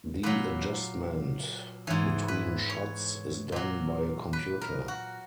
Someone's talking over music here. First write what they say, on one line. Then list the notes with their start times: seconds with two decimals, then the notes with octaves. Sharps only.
The adjustment between shots is done by a computer.
0.23 A#2 F#3 B4
1.87 G#2 E3 C#5
2.28 B4
2.70 C#5
3.52 A#2 F#3
4.33 B4
4.61 A#4
4.88 F#4